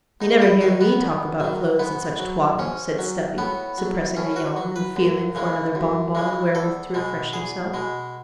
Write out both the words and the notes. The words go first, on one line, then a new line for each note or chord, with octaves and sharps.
You never hear me talk about clothes and such twaddle,' said Stuffy, suppressing a yawn, and feeling for another bon-bon wherewith to refresh himself.
E2 D#4
E4
D#3 F#3 D#4
B3
E2
D#3 F#3
G#2 B3
F#3
G#2 C#4
F#3
A2 B3
F#3
A2 C#4
F#4
F#3
B4
F#2
C#3 E3 G#3
F#2
C#3 E3 G#3
E2 A4
B2 G#3
E2 G#4
B2 G#3